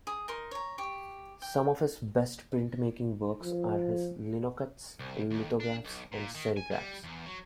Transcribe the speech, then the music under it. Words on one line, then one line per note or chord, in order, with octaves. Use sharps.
Some of his best printmaking works are his linocuts, lithographs and serigraphs.
G#4 D#6
D#4 A#4 C6
C#5 A#5
G4 C#6
G5
F3
C2
D#2
D4
B1
A#2
D#3
G#5
G3
E2
F#3